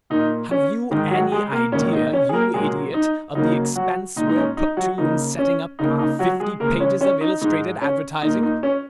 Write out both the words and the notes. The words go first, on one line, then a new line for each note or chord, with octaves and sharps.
Have you any idea, you idiot, of the expense we're put to in setting up our fifty pages of illustrated advertising?
A#2 A#3 D#4
C#4
G#2 D#3 G#3 D#4
F#3 F#4
G#3 G#4
A#3 A#4
G#2 D#3 A#3 C#4 C#5
D#4 D#5
C#4 C#5
G#4
A#3 A#4
A#2 F#3 G#3 A#3 G#4
D#4
C#3 F#3 A#3 D#4
F#3 F#4
A#2 D#4
G#3
D#4
C#4
D#4
F#3 F#4
C#3 A#3 D#4
C#4
C#3 A#3 D#4
D#4
F#3 F#4
G#3 G#4
C#3 G#3 A#3 A#4
C#4 C#5
C#4 C#5
D#4
G#2 G#3 D#4
C#4
A#2 A#3 D#4
D#4
C#4